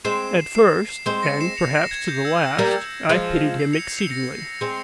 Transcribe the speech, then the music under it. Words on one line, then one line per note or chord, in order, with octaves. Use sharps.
At first, and perhaps to the last, I pitied him exceedingly.
G#3 C4 C7 E7
C7
G#3 C4 C7
A#6 C#7
C7 E7
C#7 F7
A#6
G#6
G6
E6
E6
G3 A#3
F3 G#3
C7
C#7 F7
C#7 F7
A#6 C#7
G#3 C4